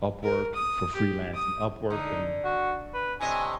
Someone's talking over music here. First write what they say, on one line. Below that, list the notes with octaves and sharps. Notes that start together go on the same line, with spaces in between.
Upwork for freelancing Upwork and
A#4
D#6
G4
D#6
D3 D#4
F#4
B4
A2 C3 D#5 G#5